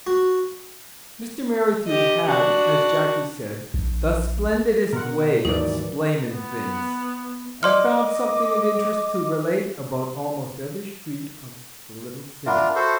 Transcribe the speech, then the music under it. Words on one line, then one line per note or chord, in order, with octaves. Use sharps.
Mr. Merrithew had, as Jackie said, "the splendidest way of splaining things," and found something of interest to relate about almost every street of the little city.
F#4
G4 D#5
D4 F#4
A#1
B2 B3 A#4 F#5 C6
D#2 G#2 E3 F#3 D#4 A#4 D5
B3
D5 D#5 C6 D6 F6
D4 F4 A#4 E5 F#5 B5
F#4 A4 C5